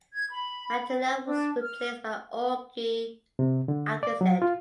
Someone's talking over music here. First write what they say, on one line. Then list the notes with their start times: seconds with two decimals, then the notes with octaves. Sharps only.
Madela was replaced by Ogie Alcasid.
0.13 G#6
0.32 B5
1.23 D4
1.61 F6
3.39 C3
3.68 D3
4.03 D5
4.21 F#3
4.42 F4